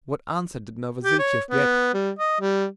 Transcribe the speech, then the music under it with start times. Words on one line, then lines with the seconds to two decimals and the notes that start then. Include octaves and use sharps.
What answer did Novosiltsev get?
1.03 G4
1.19 C#5
1.50 B3
1.93 G3
2.19 D#5
2.40 G3